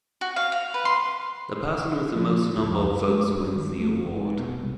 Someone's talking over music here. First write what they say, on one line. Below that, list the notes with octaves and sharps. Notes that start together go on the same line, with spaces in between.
The person with the most number of votes wins the award.
F#4
F5
F5
B4
C6
F3
C#2
F2
F#2
G#3
G2
D#3
A3
F#1
G#2
B2
C2